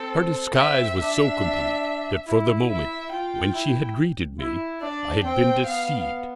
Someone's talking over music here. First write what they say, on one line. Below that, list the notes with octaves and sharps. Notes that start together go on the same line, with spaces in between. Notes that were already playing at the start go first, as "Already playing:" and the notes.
Her disguise was so complete that, for the moment when she had greeted me, I had been deceived.
Already playing: C4 A4
C4 E5
D4 E5
E4
E4 E5
F4 G5
E4
E4
D4 D5
C4 G5
B3 F5